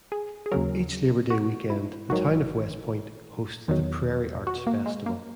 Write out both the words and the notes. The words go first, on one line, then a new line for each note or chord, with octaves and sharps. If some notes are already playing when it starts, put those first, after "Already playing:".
Each Labor Day weekend the town of West Point hosts the Prairie Arts Festival.
G#4
G#4
D#2 C#3 F#3 A#4
F#4
E4
G#1 G#2 D#3 F#3 F#4
E2 D#3 F#3
F#4
A#3
G#3
A#3